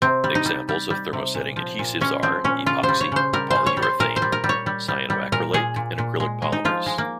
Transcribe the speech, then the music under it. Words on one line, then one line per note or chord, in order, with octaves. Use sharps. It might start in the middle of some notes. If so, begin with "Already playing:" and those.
Examples of thermosetting adhesives are: epoxy, polyurethane, cyanoacrylate and acrylic polymers.
C3 C4
G3
D#4
G3
G3
G3
C3
A#2
F3
A#2
G#3 C#4
F3 C4
A#2 C#4
C#3 F4
C5
G3
C#5
C#3 C5
G3 A#4
C#3 C5
C#5
G3
C5
A#2 A#4
C5
G3
A#4
G3
C#5
G3
G3
G3
A#2 A#4
A#2 G#4
A#2
A#2
G#3
G#3
D#4
F3 F4
G#3
A#3